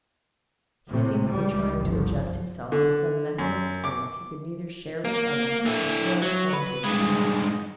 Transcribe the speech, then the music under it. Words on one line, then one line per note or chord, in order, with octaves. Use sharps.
He seemed to be trying to adjust himself to some mental experience he could neither share with others nor explain to himself.
A2 C3
C#2 G3
G1 C2 F3
D3
F#2
D6
A#3
D3 E4
F#3
B4
G2 G#3